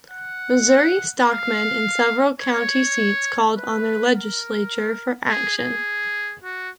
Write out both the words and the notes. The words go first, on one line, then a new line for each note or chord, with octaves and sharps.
Missouri stockmen in several county seats called on their legislature for action.
F#5
F5
C#5
B4
A#4
G#4
G#4
F#4